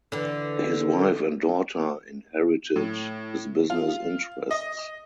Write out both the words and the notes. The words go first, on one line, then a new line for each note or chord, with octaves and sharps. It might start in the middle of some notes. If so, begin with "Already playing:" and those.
His wife and daughter inherited his business interests.
D3 E3
A2
F4
D#5